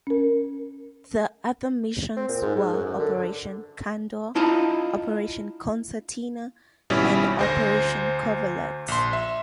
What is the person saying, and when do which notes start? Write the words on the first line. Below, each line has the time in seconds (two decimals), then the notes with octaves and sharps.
The other missions were "Operation Condor", "Operation Concertina" and "Operation Coverlet".
0.07 C#4 A#4
2.17 C4
2.29 A#2
2.42 G#2
2.56 G#2
2.73 F#2
2.86 F#2
2.99 D3
4.35 D4 E4 F4 D#5 A5 A#5
6.90 G#1 B2 G3 C#4 E4
7.39 D2 C5 A#6
8.88 A#1 C6
9.13 E5